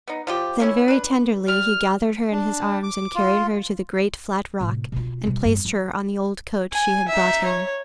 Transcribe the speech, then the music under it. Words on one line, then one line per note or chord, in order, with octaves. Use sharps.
Then very tenderly he gathered her in his arms and carried her to the great flat rock and placed her on the old coat she had brought him.
B3 D#4
F3 F4 G4
D#3 C#4 E4
D4 B4
G3 F6
D4
D6
F4
A2 C3
B2 F4
B2 G3
G2 B3
F#3
G#5
D#4 E5
C#5